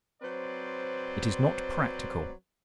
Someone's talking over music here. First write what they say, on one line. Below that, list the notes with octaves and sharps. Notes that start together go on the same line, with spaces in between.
It is not practical.
F#3 C4 B4 C5 D5